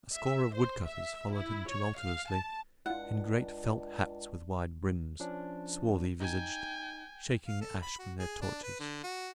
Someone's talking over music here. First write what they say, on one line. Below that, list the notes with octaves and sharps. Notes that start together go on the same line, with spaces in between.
A score of woodcutters followed him tumultuously, in great felt hats with wide brims--swarthy visaged--shaking the ash from their torches.
E5
C5
E5
E4
C#5
F5
A5
C#2 D4 E4 F4 F#5
F3 C#4 D4
D#4 G5 G#5
F5
A4
B5
F#4
G#4
D4
B4
D3
F#4